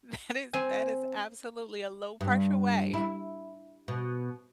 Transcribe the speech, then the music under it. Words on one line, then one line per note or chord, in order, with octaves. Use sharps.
That is that is absolutely a low-pressure way
C4 G#5
G2
E4
B2